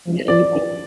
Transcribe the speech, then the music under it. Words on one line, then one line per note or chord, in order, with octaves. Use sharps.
And able.
D5